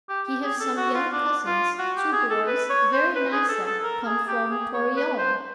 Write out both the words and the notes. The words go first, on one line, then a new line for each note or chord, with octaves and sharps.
He have some young cousins, two boys, very nice-a, come from Torreon.
G4
G4
G#4
A4
F#4
F4
D4
F4
F#4
G4
G#4
A4
B4
C#5
C5
B4
G#4
A4
A4
A#4
G#4
G4
G#4
C#5
B4
C5